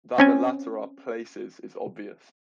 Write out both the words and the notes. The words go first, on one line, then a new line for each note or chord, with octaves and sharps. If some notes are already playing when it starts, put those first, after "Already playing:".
That the latter are 'places' is obvious.
C4 C#4 G#5